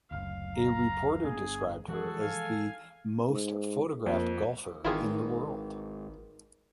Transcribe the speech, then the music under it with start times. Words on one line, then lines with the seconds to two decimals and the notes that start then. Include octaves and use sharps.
A reporter described her as the "most photographed golfer in the world".
0.11 F#1 D2 F5
0.57 A#5
1.24 G1 B3 D4 G#4
1.88 E3 F3 G#3 F#4 G#4 A4
2.21 F5 G#5
3.29 G#2
4.06 F2 A#3
4.85 G#1 D#3 E3 E4 F4 G#4